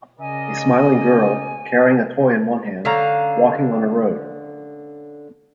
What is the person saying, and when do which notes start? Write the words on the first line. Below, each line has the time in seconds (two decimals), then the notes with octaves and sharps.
A smiling girl, carrying a toy in one hand, walking on a road.
0.20 C#3 A#4 D5 D#5 G#5
2.85 D3 C#4 F5 A#5